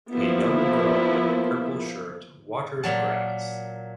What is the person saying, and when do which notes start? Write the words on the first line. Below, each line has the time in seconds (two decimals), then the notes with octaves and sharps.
A young girl with a purple shirt, waters grass.
0.12 F3 A#3 B3 E4
2.83 A#2 F#3 A5